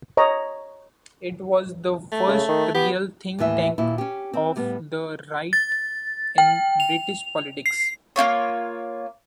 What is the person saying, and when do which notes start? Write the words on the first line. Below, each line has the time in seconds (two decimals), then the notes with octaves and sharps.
It was the first real think-tank of the right in British politics.
0.17 C#5 D#5 A#5
2.12 A3
2.27 C#3
2.48 D#3
2.75 B3 G4
3.39 D#2 A2 E3 E5
3.78 D#2 A#2 E4
3.98 C#4 G4
4.33 C4
4.56 A2 G3 B3
5.53 A6
6.38 G5
6.80 F7
7.66 C7
8.16 A#3 E4 F4 C#5